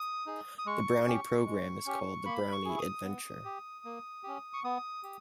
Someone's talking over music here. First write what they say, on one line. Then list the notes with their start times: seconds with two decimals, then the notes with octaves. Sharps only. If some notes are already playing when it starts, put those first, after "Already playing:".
The Brownie programme is called the Brownie Adventure.
Already playing: D#6
0.27 D#4 G#4
0.58 D#6
0.66 G#3 C#6
1.07 C#4 G4
1.46 G#3
1.86 C#4 G4
2.26 A#3 B5
2.52 C#6
2.65 E4 G#4
2.78 D#6
3.05 B3
3.45 G4
3.85 A#3
4.23 C#4 G4
4.53 C#6
4.64 B3 D#6
5.03 G4